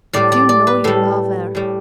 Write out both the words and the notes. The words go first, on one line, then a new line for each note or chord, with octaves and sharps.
"But you know you love her."
A2 G3 D5
D5
D5
B4
A2 G3 A4
A2 G3